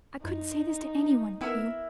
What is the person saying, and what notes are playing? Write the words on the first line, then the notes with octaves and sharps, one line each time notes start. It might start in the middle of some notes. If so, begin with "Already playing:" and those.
I couldn't say this to any one but you.
F#2 D#4 E4
B3 E4 A#4 E5 C#7